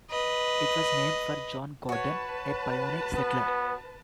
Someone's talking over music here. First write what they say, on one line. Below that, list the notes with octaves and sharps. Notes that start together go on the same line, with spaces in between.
It was named for John Gordon, a pioneer settler.
B4 D#5
F#4 B4 C#5 A5
B3